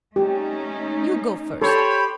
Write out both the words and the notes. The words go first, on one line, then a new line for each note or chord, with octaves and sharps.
"You go first."
A3 C#4 D#4 G4
G4 A4 C5 C#5 B5